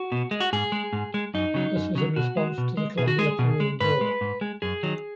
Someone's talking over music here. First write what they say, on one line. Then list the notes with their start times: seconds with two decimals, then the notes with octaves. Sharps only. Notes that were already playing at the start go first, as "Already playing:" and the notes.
This was in response to the Colombia-Peru War.
Already playing: F#4
0.12 B2
0.31 G#3
0.40 F#4
0.53 G#2 G#4
0.72 G#3
0.93 G#2
1.14 G#3
1.34 F#2 D#4
1.54 C#3 F#3
1.76 F#2
1.95 C#3 F#3
2.16 B2 F#4
2.37 G#3
2.58 B2
2.77 G#3
2.98 B2 G#4
3.08 F#4
3.18 G#3 G#4
3.39 B2
3.60 G#3
3.80 G#2 B4
4.01 G#3
4.21 G#2
4.41 G#3
4.62 F#2 G#4
4.83 D#3 F#3